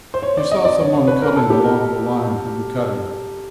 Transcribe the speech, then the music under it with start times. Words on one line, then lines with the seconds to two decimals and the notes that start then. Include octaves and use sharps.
He saw some one coming along the line from the cutting.
0.14 C5
0.22 C#5
0.37 D5
0.51 D#5
0.65 D5
0.80 C#5
0.94 C#5
1.07 B4
1.22 A#4
1.36 A4
1.50 G4
1.64 A#4